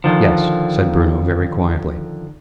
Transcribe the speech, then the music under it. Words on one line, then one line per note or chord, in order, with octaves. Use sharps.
"Yes," said Bruno, very quietly.
D3 D#3 F3